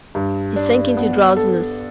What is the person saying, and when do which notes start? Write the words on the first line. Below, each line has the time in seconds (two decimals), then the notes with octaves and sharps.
He sank into drowsiness.
0.15 G2
0.56 D4
0.97 B3
1.37 A4